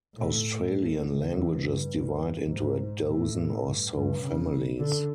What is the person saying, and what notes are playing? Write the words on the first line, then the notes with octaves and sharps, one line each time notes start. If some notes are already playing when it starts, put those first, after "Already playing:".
Australian languages divide into a dozen or so families.
A2
A2
E2
G2
G#2
A2
G2
G2
C#3
D3